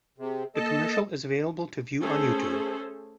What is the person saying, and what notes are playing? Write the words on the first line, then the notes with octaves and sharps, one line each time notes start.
The commercial is available to view on YouTube.
C3 G#4
A#3 A4 D#5 A5
A3 C#4 G#4 A4 C5